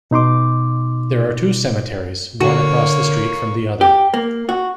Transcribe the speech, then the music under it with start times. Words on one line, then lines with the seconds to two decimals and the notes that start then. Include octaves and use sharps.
There are two cemeteries, one across the street from the other.
0.11 B2 D#4 C6 D6
2.41 D3 A#3 F#4 C#5 C#6
3.81 G4
4.14 A#3
4.49 F#4